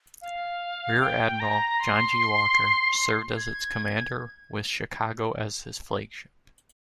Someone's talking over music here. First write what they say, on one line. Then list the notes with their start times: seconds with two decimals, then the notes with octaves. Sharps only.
Rear Admiral John G. Walker served as its Commander with "Chicago" as his flagship.
0.22 F5
1.01 G5
1.40 A#5
1.80 C6
3.37 G#6